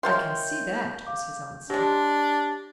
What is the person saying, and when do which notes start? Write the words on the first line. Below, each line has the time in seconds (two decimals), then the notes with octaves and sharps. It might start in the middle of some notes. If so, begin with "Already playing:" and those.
"I can see that," was his answer.
0.03 G#3 F4 A#4 C#5 E5 G5 C6 C#6
1.07 F5 D6
1.70 F#3 G#3 D4 G4 A#6